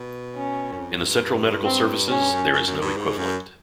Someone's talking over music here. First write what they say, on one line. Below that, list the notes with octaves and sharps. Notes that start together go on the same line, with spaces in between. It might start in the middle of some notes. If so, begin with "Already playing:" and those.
In the Central Medical Services there is no equivalent.
Already playing: B2
C#4
F#2
F2
F#2
G2
C4
G#2 C#4
G2
F#2
F#2
F#2
G2
G#2
F#2